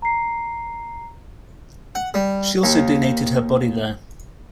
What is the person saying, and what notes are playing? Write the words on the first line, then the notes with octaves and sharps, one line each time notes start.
She also donated her body there.
A#5 C7
F#5
G3
D#2